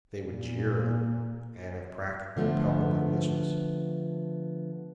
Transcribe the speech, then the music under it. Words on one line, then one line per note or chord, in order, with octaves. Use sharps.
They would jeer him, and, if practicable, pelt him with missiles.
A#2
D3 F3 A3 B3